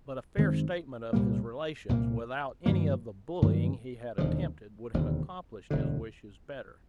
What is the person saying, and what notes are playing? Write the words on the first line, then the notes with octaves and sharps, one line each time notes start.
But a fair statement of his relations, without any of the bullying he had attempted, would have accomplished his wishes better.
F#2 D#3 G#3 C4
C2 A#2 G3 A#3
C2 A#2 G3 A#3
G2 D#3 F#3 A#3
G2 D#3 F#3 A#3
E1 D#2 D3 F3
E1 D#2 D3 F3
E1 D2 D3